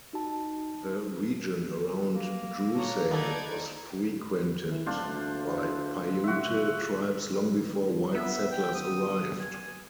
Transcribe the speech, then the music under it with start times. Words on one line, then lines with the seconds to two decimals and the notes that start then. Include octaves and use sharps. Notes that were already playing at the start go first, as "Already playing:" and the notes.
The region around Drewsey was frequented by Paiute tribes long before white settlers arrived.
0.13 D#4 F#4 A5
2.14 A#3
2.73 A4 C#5 A#5
3.11 B3 D#4 A4 D5 A#5 G#6
4.70 E3
4.86 D#1 D4 F4 C5
5.05 D2
6.24 F#4 E5
8.14 B3 E5
8.51 G5
8.74 D#6
9.39 G#5